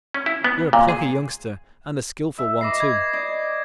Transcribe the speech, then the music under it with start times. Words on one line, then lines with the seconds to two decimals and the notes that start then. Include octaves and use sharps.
You're a plucky youngster and a skilful one, too.
0.14 C#4
0.26 E4
0.44 B3
0.73 A#2
0.89 G#4
2.38 E5
2.61 B4 D#5 B5 D6 A#6 C7
2.80 G#6
3.13 D5 D#5